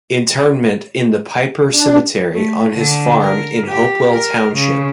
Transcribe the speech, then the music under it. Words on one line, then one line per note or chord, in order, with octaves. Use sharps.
Interment in the Piper Cemetery on his farm in Hopewell Township.
D4
A3
D3
A#4
G4
A#4
C#3